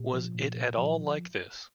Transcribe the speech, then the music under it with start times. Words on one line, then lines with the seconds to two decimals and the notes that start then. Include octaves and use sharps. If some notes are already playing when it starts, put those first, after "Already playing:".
Was it at all like this?
Already playing: A#2 G4
0.14 F3
0.35 A#2
0.56 A#2
0.78 F3